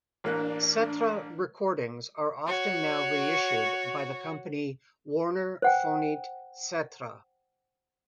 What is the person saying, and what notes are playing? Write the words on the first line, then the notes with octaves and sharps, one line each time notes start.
Cetra recordings are often now reissued by the company Warner Fonit Cetra.
A1 A#3 D4 F#6
F#4 C#5
C5 F#5 G5